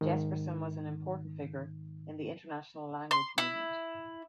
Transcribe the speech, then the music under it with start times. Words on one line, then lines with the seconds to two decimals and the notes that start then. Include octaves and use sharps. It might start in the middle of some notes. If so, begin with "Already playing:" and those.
Jespersen was an important figure in the international language movement.
0.01 G#2 D#3
3.11 C6
3.38 E4